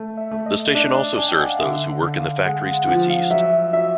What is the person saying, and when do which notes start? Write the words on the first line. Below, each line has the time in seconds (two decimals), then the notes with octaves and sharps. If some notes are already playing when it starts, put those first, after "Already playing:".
The station also serves those who work in the factories to its east.
Already playing: A3
0.17 E5
0.31 A3
0.46 D#5
0.75 D4
1.17 D4 G#5
1.29 G5
1.40 F#5
1.49 F5
1.60 D3 E5
2.03 D3
2.17 F5
2.45 G#3 F#5
2.66 F#5
2.87 F3 F#5
3.10 F5
3.30 F#3 E5
3.73 F#3 E5